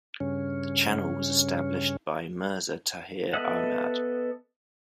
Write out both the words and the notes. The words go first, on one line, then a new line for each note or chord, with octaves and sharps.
The channel was established by Mirza Tahir Ahmad.
G2 C#3 C#4
B3 A4 D#5 E5 F#5